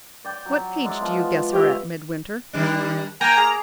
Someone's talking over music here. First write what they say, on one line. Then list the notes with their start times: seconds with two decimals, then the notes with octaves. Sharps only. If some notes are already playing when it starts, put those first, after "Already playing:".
What age do you guess her at, Midwinter?
0.24 D5 G5
0.46 F#3
0.84 G#3 E4 D5
1.01 F3 B3
1.53 G4 C#5 D#5 E5
2.53 D#3 G3 D4
3.21 A#3 G5 G#5 A#5
3.37 G#4